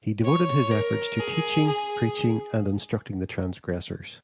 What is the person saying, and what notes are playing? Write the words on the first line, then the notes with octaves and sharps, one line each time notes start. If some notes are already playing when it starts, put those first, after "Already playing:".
He devoted his efforts to teaching, preaching and instructing the transgressors.
C#5
A#4
G#4
G#4